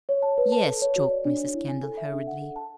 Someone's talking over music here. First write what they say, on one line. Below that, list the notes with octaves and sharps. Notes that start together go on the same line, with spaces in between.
"Yes," choked Mrs. Kendall, hurriedly.
C#5
A5
B4
A5
A4
C#5
F#4
D5
D4
C#5
E4
G#5
A4
E5
D4
F#5
A4
A5